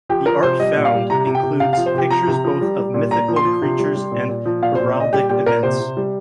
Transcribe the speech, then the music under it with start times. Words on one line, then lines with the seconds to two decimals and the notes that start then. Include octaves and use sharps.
The art found includes pictures both of mythical creatures and heraldic events.
0.09 F3 G4
0.26 F3 A#4
0.43 C3 C5
0.60 G3 D#5
0.77 A#2
0.85 F5
0.93 G3
1.10 C3 A#5
1.27 C3
1.35 G5
1.43 C3
1.60 C3 F5
1.73 F5
1.77 F3
1.86 C5
1.94 C3 G4
2.10 F3 A#5
2.28 C3
2.44 F3
2.61 G3
2.78 G3
2.94 A#2
3.11 A#2 A#5
3.28 F3
3.36 C6
3.45 F3
3.62 C3
3.79 G3
3.95 G3
4.12 A#2
4.29 A#2
4.46 F3
4.63 A#2 F5
4.75 C5
4.79 A#2
4.87 C5
4.96 A#2 D#5
5.12 G3 G4
5.29 A#2 G4
5.46 A#2 A#4
5.63 C3 C5
5.80 C3
5.97 G3